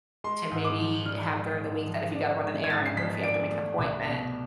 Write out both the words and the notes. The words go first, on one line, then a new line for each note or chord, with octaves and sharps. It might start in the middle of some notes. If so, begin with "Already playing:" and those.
to maybe have during the week that if you gotta run an errand or if you have to make an appointment,
G#3 C6
G#2
D6
F3
D4 F6
G#3
G#2
F3
D4
G#3
G#6
G#2 A6
C7
F3 B6
D4 D7
A3
C2
B2